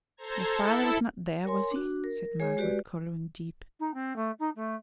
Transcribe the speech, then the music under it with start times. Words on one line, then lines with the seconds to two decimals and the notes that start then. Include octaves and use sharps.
'Your father was not there, was he?' said Margaret, colouring deep.
0.17 A4 C5 A#5 G#6
0.50 E4 A4
1.45 A#4 C#5 G#5 C6
1.71 D4 F#4
2.04 A#4
2.40 G#3 G#4 C#5 G#5
2.57 G#3 F#4 G4 B4 D5
3.80 D#4
3.94 C4
4.16 A3
4.39 D#4
4.56 A3